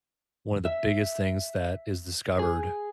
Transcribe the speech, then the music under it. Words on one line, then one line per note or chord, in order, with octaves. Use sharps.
one of the biggest things that is discovered
E5
G#4